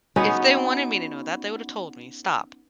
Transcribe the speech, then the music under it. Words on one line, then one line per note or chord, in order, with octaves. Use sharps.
If they wanted me to know that, they would have told me, stop."
B3 C#4 D#4 F#4